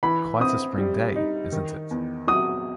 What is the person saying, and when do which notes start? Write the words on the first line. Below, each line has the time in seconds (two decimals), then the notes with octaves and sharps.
Quite a spring day, isn't it?
0.03 E3 B5
0.40 C4 D#6
0.78 G3
1.16 D#4
1.52 D#3
1.91 E2
2.27 F#3 D#6